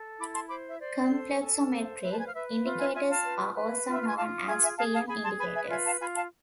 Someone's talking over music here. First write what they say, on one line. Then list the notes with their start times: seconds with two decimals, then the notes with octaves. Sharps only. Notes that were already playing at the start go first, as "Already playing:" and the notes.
Complexometric indicators are also known as pM indicators.
Already playing: A4
0.18 E4 B5 D6
0.34 A5 C6
0.49 C5 B5 D6
0.68 E5
0.80 C5 D5
1.11 A4
1.42 A4
1.72 C5
2.02 B4 E5
2.12 A5
2.19 G#5
2.26 F5
2.34 B4 E5
2.64 F4 E5
2.79 E5 G#5
2.94 F4 E5 G#5
3.10 F5 A5
3.25 B4
3.56 B4
3.86 F4
3.92 E5
4.01 F5
4.08 G#5
4.17 F4 F5 A5
4.47 G#4 E5 G#5
4.63 E5 G#5
4.78 G#4 F5 A5
4.93 F5 A5
5.08 G#4 G#5 B5
5.24 A5 C6
5.39 B4 G#5 B5
5.55 E5 G#5
5.69 F4 E5 G#5
5.85 F5 A5
6.00 F4 G#5 B5
6.15 F5 A5